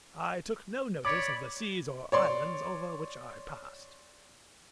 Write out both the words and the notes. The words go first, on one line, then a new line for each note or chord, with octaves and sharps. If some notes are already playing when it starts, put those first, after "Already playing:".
I took no notice of the seas or islands over which I passed.
C#5 D5 B5 D6
C#5 D5 C6